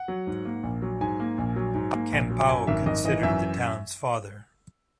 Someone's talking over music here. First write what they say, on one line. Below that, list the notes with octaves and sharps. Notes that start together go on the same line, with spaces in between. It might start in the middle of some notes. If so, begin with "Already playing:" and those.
Campau considered the town's "father".
Already playing: F#5
F#3
G#2
A#3
A#1
F#3
G#2 G#5
A#3
A#1
F#3
G#2
A#3
A#1
F#3
F#2 G#5
G#1 E5
G#1 D#5
E3 D#5
F#2 E5